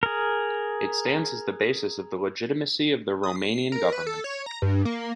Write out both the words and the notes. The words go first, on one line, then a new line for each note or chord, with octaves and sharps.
It stands as the basis of the legitimacy of the Romanian government.
G#4 A#4
D#6
C7
A#4
B4
A4
C#5
A#5
G2
A#3